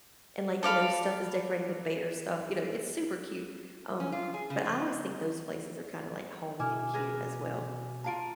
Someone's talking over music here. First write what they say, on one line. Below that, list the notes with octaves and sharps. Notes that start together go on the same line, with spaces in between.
and like, you know, stuff is decorated with bear stuff, you know, it's super cute, um, but I always think those places are kind of, like, homey and cute as well.
A4 D5 F5 B5
C#4
F4
G#4
C#3
F3
B2 E4 G#5 D6 F6
G#4 A#4 B4
F4 F5 A5 A#5 D7